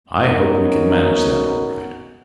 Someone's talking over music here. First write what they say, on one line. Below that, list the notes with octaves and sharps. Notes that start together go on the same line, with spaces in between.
"I hope we can manage that all right."
B3 C#4 D#4 F#4 A#4